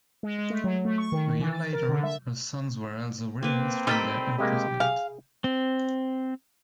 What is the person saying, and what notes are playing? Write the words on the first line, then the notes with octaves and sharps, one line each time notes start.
A year later, her sons were also released from their imprisonment.
G#3
G#3
A3
F#3
A3
C#6
D#3
E3
A6
A#4
D3
E5
A#3 C4 B4
D#3 G3 A4 D#5 G5 B5
C3 G#3 A#3 G4
G#4 F5 G#5
C4